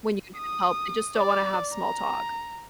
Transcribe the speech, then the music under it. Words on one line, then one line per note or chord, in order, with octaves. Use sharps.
when you need help, they just don't wanna have small talk.
D#6
D5
A#5